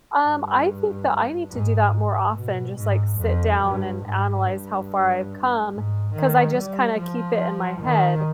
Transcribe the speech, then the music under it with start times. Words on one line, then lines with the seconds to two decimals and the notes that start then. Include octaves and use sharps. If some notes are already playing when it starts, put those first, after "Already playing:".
Um, I think that I need to do that more often, just, like, sit down and analyze how far I've come, 'cause I just kinda keep it in my head.
0.24 G2
1.50 G#2
2.34 B2
2.76 G#2
3.19 F2
3.61 G2
4.03 G#2
4.44 G2
5.71 G#2
6.14 D#3
6.55 G3
6.98 F3
7.81 D#3